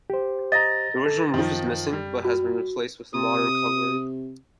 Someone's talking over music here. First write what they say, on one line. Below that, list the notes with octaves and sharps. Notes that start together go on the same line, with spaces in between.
The original roof is missing but has been replaced with a modern covering.
G4 C5
D#5 A#5 A6 A#6
A4
F#2 D#3 F3
G3
F#4
C3 D#6